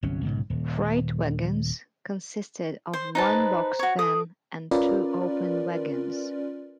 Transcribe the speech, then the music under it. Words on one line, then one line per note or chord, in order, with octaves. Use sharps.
Freight wagons consisted of one box van and two open wagons.
G1 C2 F#3 C#4
B1 G#2 C#3
D#1
C5
D#4 B4 C5 A5 A#5
F#4 C#5
A4 D#6
C#4 F4 A#4 B4 D5